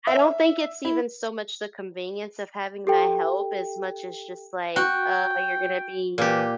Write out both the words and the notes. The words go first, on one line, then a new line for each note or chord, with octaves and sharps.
I don't think it's even so much the convenience of having my help as much as just, like, uh, you're going to be,
E5
E4
G4 A4 G5
F#4 G5
A#2 E3 G4